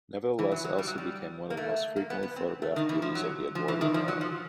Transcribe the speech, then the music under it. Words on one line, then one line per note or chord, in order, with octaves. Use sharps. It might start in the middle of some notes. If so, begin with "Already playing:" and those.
Nevertheless, Elsie became one of the most frequently photographed beauties of the Edwardian era.
E3
F#3
F#3
G3
F#3
G3
A#3
A3
A#3
B3
B3
C4
A3
D#3
E3
F3
F#3
F3
E3
D#3
F3
F#3
F3